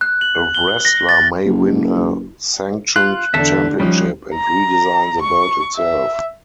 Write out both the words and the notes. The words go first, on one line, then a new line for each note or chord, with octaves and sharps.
A wrestler may win a sanctioned championship and redesign the belt itself.
F#6
F#7
G7
A#6
A6
F#1
F4 F#6
E2 D3 A4 E5
F3 G3 C#4 D#4
A#5
C#6
E5